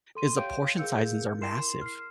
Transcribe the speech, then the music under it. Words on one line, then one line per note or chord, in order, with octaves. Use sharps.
is the portion sizes are massive,
A4 C6 D#7
G4 C#5 F5 G5 G6 D7
G#4 A#4 F5 E6 G6 C#7
E4 A#4 C6 C7 E7
F6 C7